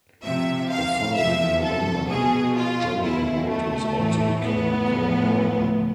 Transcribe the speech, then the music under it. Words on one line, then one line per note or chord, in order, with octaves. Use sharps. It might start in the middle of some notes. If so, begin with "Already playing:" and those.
The following November General Motors also became a Core Partner.
C3 F3 E5
F5
C3 F3 E5
A4
B2 G#4
F4
B2 E4
A3
A2 E3
B3
A2 F3